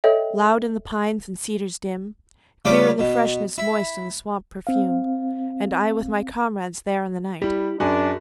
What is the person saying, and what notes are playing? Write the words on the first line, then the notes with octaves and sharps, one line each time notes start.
Loud in the pines and cedars dim, Clear in the freshness moist and the swamp-perfume, And I with my comrades there in the night.
A4 C#5 D#5 E5 G5
C#3 G3 A3 F4 D6
B2
E4
C4 F5
G3 E4 G4
F#2 D4 F#4 G#4 A#4 G#5